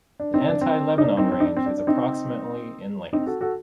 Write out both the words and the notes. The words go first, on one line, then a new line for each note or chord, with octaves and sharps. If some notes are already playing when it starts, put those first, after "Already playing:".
The Anti-Lebanon range is approximately in length.
D4
C4 D#4
D4
C4
D#4
D4
C4 D#4
C4
D#4
D4
C4
D4
D4
C4 D#4
C4 D#4
F#4 A4
F#4 A4